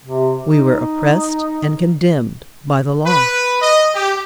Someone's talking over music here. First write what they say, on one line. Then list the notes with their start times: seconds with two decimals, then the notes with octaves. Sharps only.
We were oppressed and condemned by the Law.
0.05 C3
0.46 D#4
3.06 B4
3.61 D#5
3.94 G4